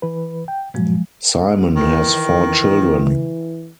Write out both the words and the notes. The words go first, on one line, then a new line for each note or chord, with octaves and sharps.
Simon has four children.
E3 B4
G5
G2 A#2 F3 F#3 G#3
D#3 E3